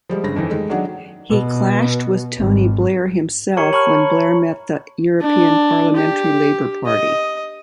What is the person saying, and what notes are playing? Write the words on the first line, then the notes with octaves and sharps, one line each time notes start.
He clashed with Tony Blair himself when Blair met the European Parliamentary Labour Party.
F3 G3 G#3
G1 C#3 A#6
F2 D#3 E3
D#3 G#3 A3
D#3 F#3 G#3 D4 F#4
B2
G#1
G4 A#4 C#5 A#5 C#6 C#7
C#5 A5 B5 C#6 F6 F#7
D4
G4
D#5